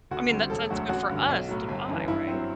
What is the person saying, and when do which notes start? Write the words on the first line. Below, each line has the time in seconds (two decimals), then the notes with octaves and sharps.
I mean, that sounds good for us to buy, right?
0.11 D2 F#4
0.30 D3 G3 C4
0.50 E1 A4
0.70 D2 D3 F#3 A3 F#4
0.89 A1 F#4
1.09 G2 D3
1.29 B1
1.49 A2 F#3
1.69 G1
1.89 F#2 E3
2.07 G2 E4
2.28 F#3 C4